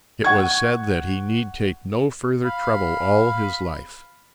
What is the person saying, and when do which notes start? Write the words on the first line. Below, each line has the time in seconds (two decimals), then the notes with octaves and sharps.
It was said that he need take no further trouble all his life.
0.24 F#5 C#6 G#6
2.45 F5 B5